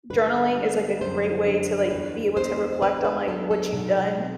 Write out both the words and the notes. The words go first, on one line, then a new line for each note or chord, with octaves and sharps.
journaling is, like, a great way to, like, be able to reflect on, like, what you've done
G1 B4
G3
F#2 C5
D3
E2 B4
B3 C5
D3 B4
B4
F#3 A4
A4
B1
C4